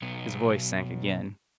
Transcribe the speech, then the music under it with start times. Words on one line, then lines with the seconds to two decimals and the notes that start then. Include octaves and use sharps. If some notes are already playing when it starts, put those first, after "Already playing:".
His voice sank again.
0.02 B1 B3